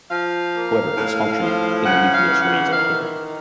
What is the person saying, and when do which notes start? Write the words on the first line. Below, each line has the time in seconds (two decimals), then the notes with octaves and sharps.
However, its function in the nucleus remains unclear.
0.09 F3 F5
0.53 A#3
0.97 A2
1.40 F3
1.84 C#3 F#5
2.13 F5
2.27 E3
2.42 F#5
2.71 D#3 F5